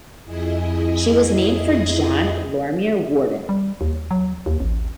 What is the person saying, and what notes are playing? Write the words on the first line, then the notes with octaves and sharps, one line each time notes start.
She was named for John Lorimer Worden.
F2 E4 G#4 D#5
G3
D#2
F#3
D#2
A1